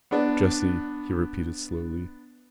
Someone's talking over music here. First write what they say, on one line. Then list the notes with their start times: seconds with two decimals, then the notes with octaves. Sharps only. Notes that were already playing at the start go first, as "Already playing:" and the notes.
"JESSIE," he repeated slowly.
0.11 B3 D4